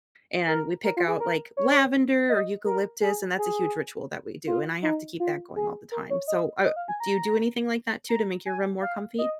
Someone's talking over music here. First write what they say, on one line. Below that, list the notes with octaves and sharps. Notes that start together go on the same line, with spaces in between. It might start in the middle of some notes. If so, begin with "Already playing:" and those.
and we pick out like lavender or eucalyptus, and that's a huge ritual that we do and I have to keep that going all the time. So, uh do you do anything like that too to make your room more comfy?
A#4
A#4
F4
G#4
A#4
C#5
D#5
A#4
G#4
G#4
F4
D#4
F4
G#4
A#4
C#5
D#5
D#5
F5
G#5
A#5
A#5
G#5
F5
D#5